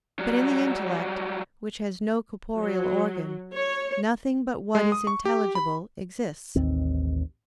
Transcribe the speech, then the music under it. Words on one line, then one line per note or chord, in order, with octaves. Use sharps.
But in the intellect, which has no corporeal organ, nothing but what is intelligible exists.
F#3 G3
F#3
C#5
G#3
D#6
C#6
G4
B5
A1 D#2 D#3 C4